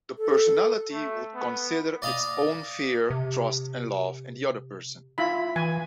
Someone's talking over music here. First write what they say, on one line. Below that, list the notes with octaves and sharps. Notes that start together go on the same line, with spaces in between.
The personality would consider its own fear, trust, and love in the other person.
A4
A3
B3
D5 D#5 F5 A5
C3
E4 F4 B5
E3 G#5